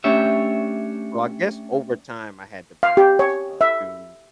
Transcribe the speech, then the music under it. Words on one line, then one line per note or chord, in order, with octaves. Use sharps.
So I guess over time I had to balance, uh, through
A3 C#4 D4 G4 C#5 E5
F5
G4
C#5
E5